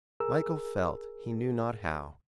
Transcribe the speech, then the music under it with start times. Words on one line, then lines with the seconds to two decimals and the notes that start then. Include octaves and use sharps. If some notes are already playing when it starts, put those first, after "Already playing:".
Michael felt he knew not how.
0.20 G#4 A#4 E6